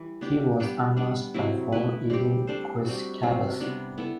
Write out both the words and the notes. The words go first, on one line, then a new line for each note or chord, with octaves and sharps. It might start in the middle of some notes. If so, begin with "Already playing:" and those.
He was unmasked by "War Eagle" Chris Chavis.
Already playing: E3 G3
B3 D4 G4
G3 B3 D4 G4
G3 B3 D4
C3 F#3 C4 E4
A3 E4 B4
G3 C4 G4
G3 D4 A4 C5
G3 C4 F#4
C3 F#3 C4
C3 G3 B3 D4
B3 E4 A4